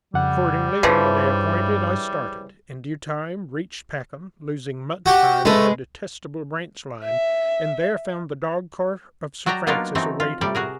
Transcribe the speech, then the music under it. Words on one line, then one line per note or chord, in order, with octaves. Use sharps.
Accordingly, on the day appointed I started; in due time reached Packham, losing much time on a detestable branch line, and there found the dogcart of Sir Francis awaiting me.
F2 C#3 G3 F#5
G2 C#3 E3 F3 E5
F#4 G4
G#3 A3 B4
E5
F#3 F#4 D5 G5 A5 A#5
F#3 A#3 B3 D4 D#4 F4
E3 F#3 A3 C4 D#4
F4
A2 C3 G3 D5
F#4 G#4 A#4